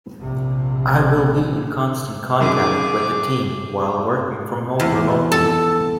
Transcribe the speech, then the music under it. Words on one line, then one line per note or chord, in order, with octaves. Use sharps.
I will be in constant contact with the team while working from home remotely.
A#1 C3
F#2 D#3 G#4 D6
E2
A4